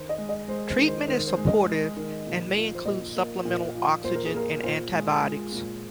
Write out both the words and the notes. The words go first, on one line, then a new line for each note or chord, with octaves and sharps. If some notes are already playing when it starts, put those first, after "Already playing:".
Treatment is supportive and may include supplemental oxygen and antibiotics.
Already playing: D#3 C5
D#5
G#3
D#5
G#3 C5
C5
D#3
C5
D#3 C5
C5
G#3
D#5
G#3
D#3
A#2
F3
C5
A#2 D#5
A#3
A#2
F3
A#2 C5
A#4
G#4
A#3 A#4
A#2 C5
G#3
G#3
A#2